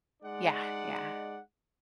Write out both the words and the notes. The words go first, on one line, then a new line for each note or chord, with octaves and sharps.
Yeah, yeah.
G#3 D#4 D5 F#5